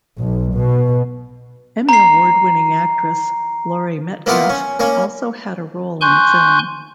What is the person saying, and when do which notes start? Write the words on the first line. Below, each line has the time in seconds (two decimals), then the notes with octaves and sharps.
Emmy Award-winning actress Laurie Metcalf also had a role in the film.
0.18 B1
0.55 B2
1.89 A#5 C7
4.26 A#3 B3 E4 F4 F#5
4.49 C#4
4.80 A#3 C#4
6.01 G#5 C6 C#6 F#6 G6